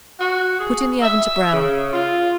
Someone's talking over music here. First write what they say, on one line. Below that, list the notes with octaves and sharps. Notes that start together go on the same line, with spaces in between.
Put in the oven to brown.
F#4
G#4
E5
C#3
F4